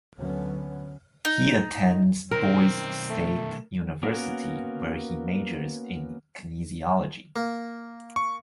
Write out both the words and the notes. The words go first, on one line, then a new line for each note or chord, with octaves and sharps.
He attends Boise State University where he majors in kinesiology.
D2 D3 F#3 B3 C#4
D#4
B1 D#3 C4 A#4
A3
A#3 B3 C#4 F#4 A#4
A#3
C#6